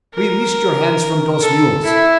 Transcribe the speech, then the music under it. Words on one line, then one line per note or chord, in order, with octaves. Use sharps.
Release your hands from dose mules.
A#4
A4
E4